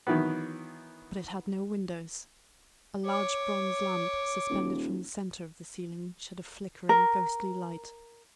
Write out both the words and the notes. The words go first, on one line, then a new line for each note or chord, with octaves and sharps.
But it had no windows--a large bronze lamp, suspended from the centre of the ceiling, shed a flickering, ghostly light.
D#3 E3 F#3 B3
C#5 D6
D#1
A#4